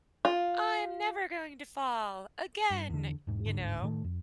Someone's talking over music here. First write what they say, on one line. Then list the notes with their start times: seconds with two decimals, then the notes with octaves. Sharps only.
"I'm never going to fall again." You know?
0.25 F4
2.71 G2
2.90 E2 D3
3.27 E1 G#2
3.46 D1 G1 G#2 D3
3.82 A2 D#3 A3
4.04 F2